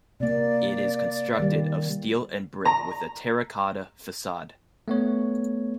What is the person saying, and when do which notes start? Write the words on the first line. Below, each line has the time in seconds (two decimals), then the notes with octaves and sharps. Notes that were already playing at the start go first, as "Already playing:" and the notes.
It is constructed of steel and brick with a terra-cotta facade.
0.20 C3 A#3 D5
1.39 D#3 G3
2.65 A#5
4.88 A3 B3 C#5